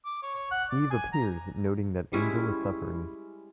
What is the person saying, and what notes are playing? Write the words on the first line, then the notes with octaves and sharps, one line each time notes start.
Eve appears, noting that Angel is suffering.
D6
C#5
C#5
F#5
D5
G#5
A#5
G3 G#3 C#4 E4